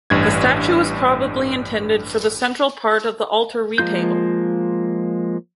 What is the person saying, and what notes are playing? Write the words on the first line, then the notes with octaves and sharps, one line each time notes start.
The statue was probably intended for the central part of the altar retable.
A1 G2 G#6
F3 G#3 A#3 F4 G6